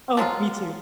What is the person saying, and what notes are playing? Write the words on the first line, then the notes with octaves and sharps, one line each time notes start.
Oh, me too.
F3 F#3 G#3 F4